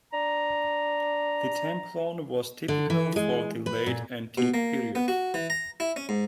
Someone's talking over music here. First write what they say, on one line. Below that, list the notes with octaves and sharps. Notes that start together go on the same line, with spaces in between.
The templon was typical for the Late Antique period.
D4 A#5
D3
E3
G#3
B4
A#2
B2
A#3
B3
F#4
E3
A#5
E4
C#4
G#2